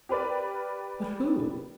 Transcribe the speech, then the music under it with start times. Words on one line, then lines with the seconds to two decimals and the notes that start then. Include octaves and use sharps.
"But who?"
0.09 G4 A#4 B4 D5